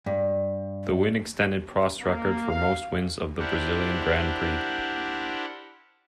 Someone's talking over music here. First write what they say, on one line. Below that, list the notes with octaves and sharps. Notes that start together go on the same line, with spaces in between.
The win extended Prost's record for most wins of the Brazilian Grand Prix.
G2
A#3
F5
D4 E4 G4 A#4 C5 F#5